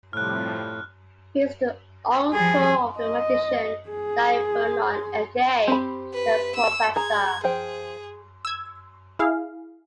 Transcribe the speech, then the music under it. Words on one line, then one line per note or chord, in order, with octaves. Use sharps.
He is the uncle of the magician Dai Vernon aka 'The Professor'.
A2 C3 F3 G3 F6 F#6
F3 G3 G#4
D#5
G#4
C4 G4 B5
B4
E6
G#4 A#5 G#6
F3 G#4 C5 G5
E6 G#6
E4 G#4 F5